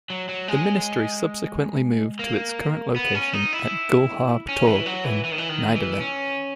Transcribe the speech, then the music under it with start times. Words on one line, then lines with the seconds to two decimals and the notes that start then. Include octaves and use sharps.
The ministry subsequently moved to its current location at Gullhaug Torg in Nydalen.
0.10 F#3
0.29 F#3
0.48 G#3
2.19 A#3
2.96 B3
3.15 C#4
3.33 D#4
3.53 E4
4.49 C#4
4.67 E3
4.86 F#3
5.05 E3
5.24 E3
5.32 D#3
5.38 E3
5.49 D#3
5.75 E3
6.00 C#4